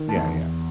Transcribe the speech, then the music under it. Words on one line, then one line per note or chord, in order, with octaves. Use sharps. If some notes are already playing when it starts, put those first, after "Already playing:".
Yeah, yeah.
Already playing: D#3
A5
E2